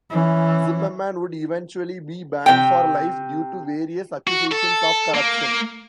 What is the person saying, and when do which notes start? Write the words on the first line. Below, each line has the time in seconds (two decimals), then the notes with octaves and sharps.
Zimmerman would eventually be banned for life due to various accusations of corruption.
0.10 E3 C#4
2.46 C3 G5
4.27 F#4
4.52 A4
5.14 A#3